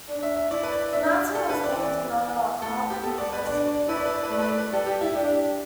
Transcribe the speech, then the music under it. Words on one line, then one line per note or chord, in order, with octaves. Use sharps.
The mountain was named in honor of Harvard University.
D4
E5
E5
E4 D5
B4
D5
D4 E5
D5
D3 A4
B4
D5
E3
E3
A3 A4
G4
B3 A4
D5
B4
D4 D5
D5
E4 B4
D5
B4
D5
B4
A3 D5
B4
D5
B4
G3 A4
G4
E4
D4 G4